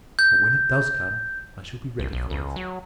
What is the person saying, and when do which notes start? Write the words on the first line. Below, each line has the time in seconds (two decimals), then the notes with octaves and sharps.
But when it does come I shall be ready for it.
0.19 G6
1.99 C2
2.13 B1
2.30 C#2
2.56 F#3